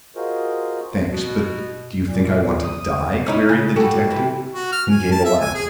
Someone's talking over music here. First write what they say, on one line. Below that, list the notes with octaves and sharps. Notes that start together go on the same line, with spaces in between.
"Thanks, but do you think I want to die?" queried the detective, and gave a laugh.
F4 F#4 G#4 A#4 C5 D#5
B2
A#2
D#6
C#4 D#4 E4
C#3
G3 F#4 A4
C3 E3
F#4
F6
G#5
A5
E5
G#5
G#4